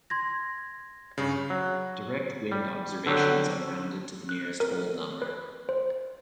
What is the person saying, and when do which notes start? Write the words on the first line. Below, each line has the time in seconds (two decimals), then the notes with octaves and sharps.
Direct wind observations are rounded to the nearest whole number.
0.10 C6 G#6 A#6
1.18 G2 C#3
1.50 F#3
2.51 G3
3.06 D3 F#3 G4
4.29 F#6
4.60 A#4
5.22 B4
5.69 C5